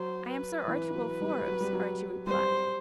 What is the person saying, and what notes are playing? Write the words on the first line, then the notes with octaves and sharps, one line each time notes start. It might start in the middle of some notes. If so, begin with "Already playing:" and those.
"I am Sir Archibald Forbes," Archie replied.
Already playing: F#3 C5
B4
E3
F#3
G3
F#3
G3
F#3
G3 C5